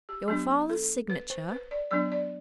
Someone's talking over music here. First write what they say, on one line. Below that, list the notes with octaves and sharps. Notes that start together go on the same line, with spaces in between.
"Your father's signature?"
G4
F#3 B3 D4 G4
A4
B4
C5
B4
D5
F#3 B3 D4 D5
D5